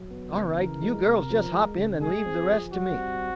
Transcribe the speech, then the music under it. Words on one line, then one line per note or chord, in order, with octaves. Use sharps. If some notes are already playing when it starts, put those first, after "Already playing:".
"All right; you girls just hop in, and leave the rest to me."
Already playing: F#3
B3
C#3
E3 A#4
G#3
C3
F3
G#3
C#3
G#3 G#4
C4
F3
G3 F#4
C4